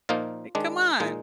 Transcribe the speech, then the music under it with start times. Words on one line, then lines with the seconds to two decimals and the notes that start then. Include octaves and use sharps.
Like, come on."
0.09 A#2 F3 A#3 D#4 F4
0.55 D#3 G#3 D4
1.00 A#2 G#3 D#4